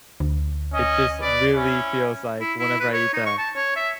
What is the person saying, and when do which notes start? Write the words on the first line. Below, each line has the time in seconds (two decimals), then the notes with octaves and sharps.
It just really feels like whenever I eat the
0.20 D2
0.73 C#4 D#5
1.21 B4 D5
1.54 C#4 E4
2.40 E4
2.59 E4
2.80 B4
2.93 C#5
3.13 D#4
3.26 C#6
3.38 A5
3.56 C#5
3.76 E5